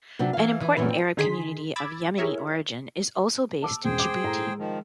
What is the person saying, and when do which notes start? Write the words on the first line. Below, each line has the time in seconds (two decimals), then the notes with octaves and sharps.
An important Arab community of Yemeni origin, is also based in Djibouti.
0.19 C3 F#3 D4
0.33 E3 F5
0.61 E3
0.77 F#2 A#2 E3 B4
0.88 C4
1.17 D3 D#3 D#4 G#4 C6 B6
1.76 B5 D6 E6 G#6 A6
2.18 E4 G4 G#4 A#4 C#5 E5
3.62 A5 D6 E6
3.85 E1 A1 G#4 C5 G5
3.99 D6
4.24 A2 A#5
4.46 G#3
4.58 D#3 F3